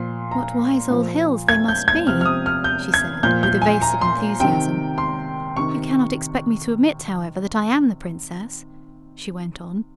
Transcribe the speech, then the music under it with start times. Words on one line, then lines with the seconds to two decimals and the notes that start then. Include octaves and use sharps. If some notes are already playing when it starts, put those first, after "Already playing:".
"What wise old hills they must be," she said, with evasive enthusiasm. "You cannot expect me to admit, however, that I am the princess," she went on.
Already playing: A#2 F3 C6
0.31 A#5
0.90 A#2 F3
1.48 G#6
1.68 G6
1.88 G#6
2.07 C3 F6
2.10 F3
2.21 F6
2.25 D#6
2.46 F6
2.64 G6
2.94 G#6
3.23 A#2 F3 G6
3.43 G6
3.62 G#5
3.82 A#5
4.01 C6
4.40 C3 D#3 G5
4.98 C6
5.56 C3 D#3 C#6